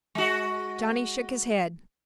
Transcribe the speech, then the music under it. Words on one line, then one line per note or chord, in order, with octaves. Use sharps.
Johnny shook his head.
G#3 F#4